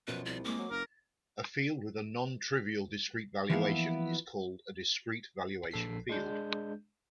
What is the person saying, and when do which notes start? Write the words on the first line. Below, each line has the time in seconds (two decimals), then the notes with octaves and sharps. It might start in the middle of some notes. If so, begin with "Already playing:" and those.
A field with a non-trivial discrete valuation is called a discrete valuation field.
0.07 F#2 B2 F3 B4
0.26 C2 D5
0.45 G#3 A#3 C4 D6
0.59 F#3
0.71 F#1 A#4 F5
3.50 E3 F3 A#3 B3 E4 F4
5.71 A#1 A4 B6 C7
6.09 G#3 D4 G6